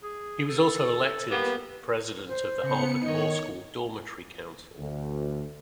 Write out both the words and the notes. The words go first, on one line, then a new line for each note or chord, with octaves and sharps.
He was also elected president of the Harvard Law School Dormitory Council.
G#4
A4
G3 A#3 B3
C5
C#3 B3 C#7
D#3 D#4 C#5 D#5
D2